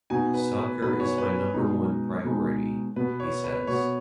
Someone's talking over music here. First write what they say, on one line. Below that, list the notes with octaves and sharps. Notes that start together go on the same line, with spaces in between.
"Soccer is my number one priority," he says.
B2 B3 D#4 F#4 G#5
B4
B4
B2 B3 D#4 F#4 B4
C#5
B4
B2 G#3 D#4
B2 G#3 D#4
B2 B3 F#4 B4
C#5
B4
B2 B3 F#4 C#5